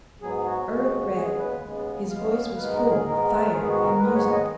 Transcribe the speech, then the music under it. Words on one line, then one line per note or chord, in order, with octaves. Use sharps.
Earle read; his voice was full of fire and music.
G#2 F#3 B3 G#4
F#4
D#2 C#3 G#3 B3 F#4
D#2 C#3 G#3 B3 G#4
B4
D#2 C#3 G#3 B3
D#2 C#3 G#3 B3 F5
G#2 D#3 G#3 B3 B4
A#4
G#4
G#2 D#3 G#3 B3 A#4
G#2 D#3 G#3 B3 G#4
F#4
A#4
G#2 D#3 G#3 B3 B4
C#5
D#5